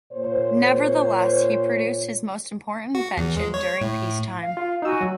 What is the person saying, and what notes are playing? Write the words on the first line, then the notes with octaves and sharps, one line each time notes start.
Nevertheless, he produced his most important invention during peace time.
A#2 C5 C#5
F#4
E2
G#3
C#5
A2
F5
F4
D#4 F#4 G#5 E6
F#3